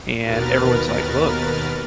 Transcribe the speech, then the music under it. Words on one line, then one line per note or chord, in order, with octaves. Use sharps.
and everyone's like, "Look,
D#2 B2 A#4 B4 F6 A6